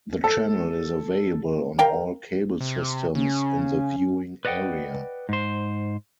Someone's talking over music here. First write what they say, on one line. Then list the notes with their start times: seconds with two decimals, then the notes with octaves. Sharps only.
The channel is available on all cable systems in the viewing area.
0.24 A4
1.78 A#4 F5 G5 A#5
2.61 C3
3.15 C#3 C#4
4.45 B4 D5 D#5 F#5 G5
5.29 G#2 C5